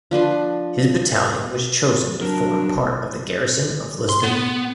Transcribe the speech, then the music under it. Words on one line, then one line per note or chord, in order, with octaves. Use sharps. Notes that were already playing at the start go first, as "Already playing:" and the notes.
His battalion was chosen to form part of the garrison of Lisbon.
F3 D4 B4 C6
F#3 D4 A#4
C6
B3